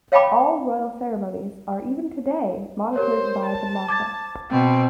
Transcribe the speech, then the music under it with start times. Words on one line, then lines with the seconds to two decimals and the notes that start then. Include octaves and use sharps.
All royal ceremonies are even today monitored by the Matha.
0.12 C#5 F5 G5 A5 B5 D6
2.96 G4 A#4 C5 C#5
3.47 A5
3.88 D6 G#6 A6
4.51 B2 C4